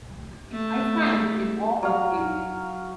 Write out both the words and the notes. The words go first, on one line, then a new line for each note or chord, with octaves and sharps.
I stand in awe of him.
A3
F#3 F5